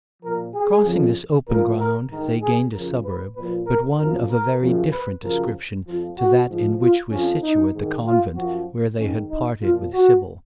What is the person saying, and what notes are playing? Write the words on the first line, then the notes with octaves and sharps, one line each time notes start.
Crossing this open ground they gained a suburb, but one of a very different description to that in which was situate the convent where they had parted with Sybil.
A#2 F3 A#4
G#4
F2 C#3 F3
A#2 F3 A#4
A#4
G#2 D#3 A#4
G#4
F#2 C#3 F3 A#4
B4
A#2 F3 B4
A#4
F#2 F3 A#4
A#4
F#2 C#3 F3
B4
F#2 C#3 F3 A#4
F2 F3 F4
F#4
G#2 F3
F4
F2 F3 C#4
D#4
G#2 D#3
F4
F#2 F3 F#4
G#2 D#3 C#4
D#4
A#2 F3 F4
F#4